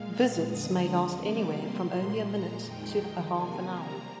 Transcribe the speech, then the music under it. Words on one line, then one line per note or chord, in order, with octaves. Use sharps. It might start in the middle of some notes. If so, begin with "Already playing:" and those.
Visits may last anywhere from only a minute to a half an hour.
Already playing: A#2 G#3 F5
F2 D3 G#3 D#6
C3 G3 A#3 D6
C6
A#2 G#3 C6
A#5
F2 D#3 G#3 G5
C3 G3 A#3 G#5
A#5